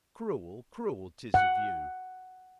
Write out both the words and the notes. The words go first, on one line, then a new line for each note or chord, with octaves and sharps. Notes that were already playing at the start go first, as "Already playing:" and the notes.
"Cruel, cruel, 'tis of you!"
F#5